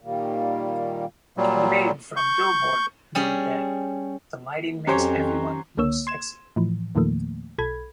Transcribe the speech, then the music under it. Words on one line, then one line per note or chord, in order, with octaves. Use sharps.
Katie Bain from "Billboard" noted that "the lighting makes everyone look sexy".
A#2 D#3 G3 A#3
A#2 F#3 G3
C#6 G6
G3 C#4 G#4
F2 F#3 C#4 G4 C5 C#5 G#5
C#2 D3 A#3 C#5 E6
C6 G#6 E7
A2 E3 F3
E2 A#2 D#3 F3 A3 A#3
B1 A4 B5 G#6